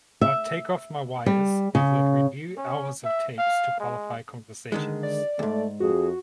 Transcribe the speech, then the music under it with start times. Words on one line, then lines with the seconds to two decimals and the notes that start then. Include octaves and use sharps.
I’d take off my wires and we’d review hours of tapes to qualify conversations.
0.21 E5
1.26 G3
1.75 C#3
2.57 C#4
3.04 E5
3.38 F5
3.80 G#3
4.72 D3 D#3 G#3
5.03 D5
5.39 D#2 G#2 A3
5.80 F2 F#4 G#4